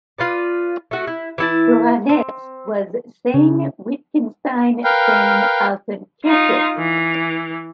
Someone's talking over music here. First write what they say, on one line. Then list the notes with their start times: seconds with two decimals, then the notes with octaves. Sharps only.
Johanette's was Sayn-Wittgenstein-Sayn-Altenkirchen.
0.18 F4 B4 D5
0.91 A3 F#4
1.07 E4
1.38 E3 E4 A5
2.09 C4
3.34 C#3
4.84 A#4 B4 F5 G5
6.25 D#4 F4
6.78 E3